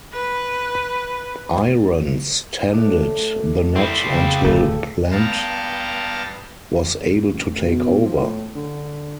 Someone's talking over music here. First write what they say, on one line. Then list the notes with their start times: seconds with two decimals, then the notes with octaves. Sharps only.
Irons tended the net until Plante was able to take over.
0.13 B4
2.71 A2 D4
3.76 F#3 G3 C4 E4
4.09 C#3
4.43 D1 A3 G4 A4
5.11 G2 B3 F5 G5 A5 A#5
7.33 A1
7.64 B2
8.06 F3
8.19 A2
8.55 D3